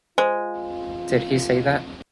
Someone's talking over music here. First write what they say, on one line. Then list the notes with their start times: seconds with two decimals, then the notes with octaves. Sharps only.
Did he say that?
0.18 G#3 F4 C5